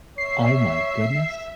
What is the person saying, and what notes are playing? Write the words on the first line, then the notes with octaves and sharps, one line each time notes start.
Oh my goodness.
C#5 E5 C7